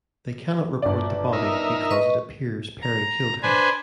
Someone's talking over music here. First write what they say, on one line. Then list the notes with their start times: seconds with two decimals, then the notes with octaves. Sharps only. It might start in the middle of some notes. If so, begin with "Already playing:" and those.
They cannot report the body because it appears Perry killed her.
0.82 G1 D5
1.33 D#4 A#4 E5
1.91 B4 D#5 C#6
2.82 A#5
3.43 D4 B4 C5 G#5